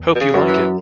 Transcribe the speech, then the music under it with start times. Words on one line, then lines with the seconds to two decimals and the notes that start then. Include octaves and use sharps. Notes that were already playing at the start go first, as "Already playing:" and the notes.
Hope you like it.
Already playing: E2
0.15 B2
0.20 C#3
0.34 F#2
0.48 E3